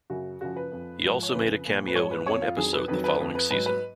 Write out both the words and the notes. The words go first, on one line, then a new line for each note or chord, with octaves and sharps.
He also made a cameo in one episode the following season.
F#2 C#3 F#3 F#4
F#2 C#3 F3 F#4
B4
F2 F3
G#2 F3
C#5
F2 C#3 F3 B4
A#2 F3
B4
G#2 F3 C#5
B4
F2 F3 C#5
F4
F2 D#3 F#3 G#4
B4
F2 D#3 F#3 B4
B4
F2 F3 B4
B4
G#2 F#3 B4
B4